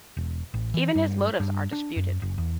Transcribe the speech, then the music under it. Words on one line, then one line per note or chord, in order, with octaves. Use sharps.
Even his motives are disputed.
E1
A1
E3
G2
G2
D4
F#2
F#1
E2